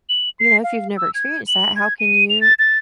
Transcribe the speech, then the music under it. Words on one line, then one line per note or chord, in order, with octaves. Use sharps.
you know, if you've never experienced that, how can you
F#7
C7
F5
E6
G#6
F#7
G#6
D#7
F7
A6
A6